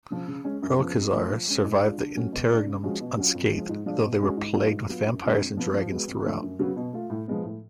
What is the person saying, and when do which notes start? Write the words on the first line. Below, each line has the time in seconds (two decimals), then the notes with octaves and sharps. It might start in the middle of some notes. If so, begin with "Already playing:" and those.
Erlkazar survived the Interregnum unscathed, though they were plagued with vampires and dragons throughout.
0.10 C#3 F3
0.28 C#3
0.44 G#3 C#4
0.62 F#2
0.79 C#3 F3 B3
0.95 F2
1.13 F3 A3
1.30 F3
1.47 G#3 C#4
1.64 G#2
1.80 G#3 D4 F4
1.98 D3
2.15 F#3 A3 C#4 F#4
2.32 B2
2.49 A3 D4
2.66 C#3
2.83 F3 G#3 C#4 F#4
3.00 B2
3.17 F#3 C#4 F4
3.35 F2
3.52 F3 G#3
3.69 G#2
3.86 F3 G#3 D4 F4
4.03 B2
4.20 G#3 C#4 F#4
4.37 G#2
4.54 F#3 B3 D4 F4
4.71 G#2
4.89 F#3 B3 F4
5.06 F#2
5.23 D3 G#3 C#4 F4
5.40 F2
5.57 F3 B3
5.74 F3
5.91 G#3 B3 F#4
6.08 F2
6.25 D3 F3 A3
6.42 F#2
6.59 C#3 F#3 B3 F#4
6.76 B2
6.93 A3 F4
7.10 A2
7.28 F3 G#3 B3
7.44 A2